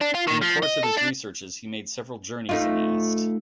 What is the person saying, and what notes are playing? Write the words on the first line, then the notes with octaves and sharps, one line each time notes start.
In the course of his researches he made several journeys in the East.
D4
F4
D#3
F3
D#5
A4
D4
A3 D#4 F4